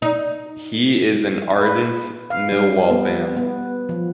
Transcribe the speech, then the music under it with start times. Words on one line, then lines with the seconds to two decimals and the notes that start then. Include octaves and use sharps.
He is an ardent Millwall fan.
0.02 D#4
1.61 B4
2.30 F5
2.52 G3
2.90 B3
3.37 B3
3.89 F3